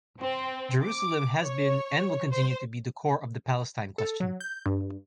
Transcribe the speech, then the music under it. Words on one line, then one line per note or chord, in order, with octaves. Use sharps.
Jerusalem has been and will continue to be the core of the Palestine Question.
C4
D6
C#5
C5
A4
F#3
G6
G2